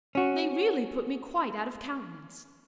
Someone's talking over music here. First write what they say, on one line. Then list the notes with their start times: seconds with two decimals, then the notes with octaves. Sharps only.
They really put me quite out of countenance.
0.15 C#4 F#4